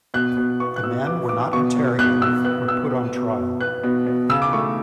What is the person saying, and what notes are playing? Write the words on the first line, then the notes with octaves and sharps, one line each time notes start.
The men were not interrogated or put on trial.
B2 F#6
B2
B3 C#6
F#6
B2 E6
B3 D6
B3 D6
B2 C#6
B2
B2 F#6
B2 E6
B3 F#6
B2 E6
B3
B2
B2
B3 F#6
B2
B2
C#3 E6
D6
A3 C#6